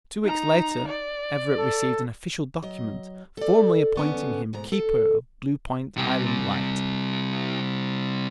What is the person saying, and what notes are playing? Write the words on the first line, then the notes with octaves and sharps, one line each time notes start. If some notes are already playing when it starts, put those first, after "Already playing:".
Two weeks later Everett received an official document formally appointing him keeper of Blue Point Island light.
D#4 A#5
D5
A4
F#3 D#5
A4 D5
D3 B3 C#4
D2 G#2 B2 A#5
A4
C3 G3